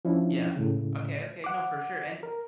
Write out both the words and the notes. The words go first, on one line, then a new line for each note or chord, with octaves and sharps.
Yeah. Okay, okay. No, for sure, and, eh
F3 C#4 D4 E4
A2 C#3
F#5 D6
A#4